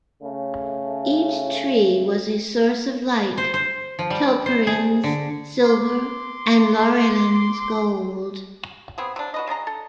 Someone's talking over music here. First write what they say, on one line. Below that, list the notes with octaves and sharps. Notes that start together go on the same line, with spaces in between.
Each tree was a source of light: Telperion's silver and Laurelin's gold.
C#3 A3
C5
C5
F3
G3
C5
G#4
D3
C6 D6
B3 C4 G#4
C3 D4
F#4 B4 D#5
G#3 D4 D#5 A#5
A4